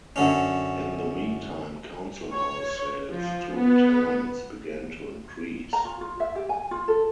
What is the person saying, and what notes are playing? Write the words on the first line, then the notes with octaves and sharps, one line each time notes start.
In the meantime, council house sales to tenants began to increase.
F#2 D3 C#4
C#5
F3
B3
A#5
F4
F4
E5
G4
G#5
F4
A4